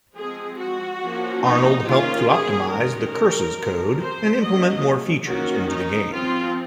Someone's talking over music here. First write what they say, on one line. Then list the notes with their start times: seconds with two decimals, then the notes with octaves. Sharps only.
Arnold helped to optimize the curses code and implement more features into the game.
0.17 F3 G#3 C4 G#4
0.59 F#4
1.02 F3 A#3 C#4
1.44 D#4
1.87 D#3 A#3 C#4 F4
2.29 G#4
2.71 D#3 G#3 C#4 A#4
3.57 F3 C4
3.99 C5
4.42 F#3 A#3 C#4 D#5
5.27 D#3 A#3 C#4 F#4
5.70 D#4
6.12 F3 C4 F4